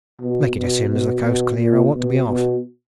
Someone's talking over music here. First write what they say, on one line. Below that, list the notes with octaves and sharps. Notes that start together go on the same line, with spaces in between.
"Make it as soon as the coast's clear--I want to be off."
B2
B2
B2
B2
A#2
B2
B2